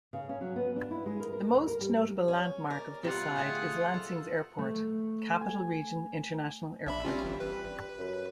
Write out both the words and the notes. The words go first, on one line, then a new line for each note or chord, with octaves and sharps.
The most notable landmark of this side is Lansing's airport: Capital Region International Airport.
C#3
C#4
F#3
B3
D4
E4
G#3
A#4
A#4
D2
A#4
G3
C#4
A#4 D5
C3 G3 F4 F#5
D3 A3 G#4
A4
A3
G#5
A#1 D4 E5 B5
G3 C4 C#4 F4
G1 E3
B4
F#2